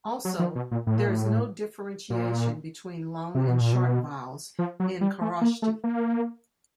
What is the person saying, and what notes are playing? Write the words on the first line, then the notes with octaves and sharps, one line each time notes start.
Also, there is no differentiation between long and short vowels in Kharosthi.
F#3
F3
B2
A#2
A2
A#2
A2
A#2
C3
B2
A#2
B2
F3
F#3
G3
A3
A#3
A3
A#3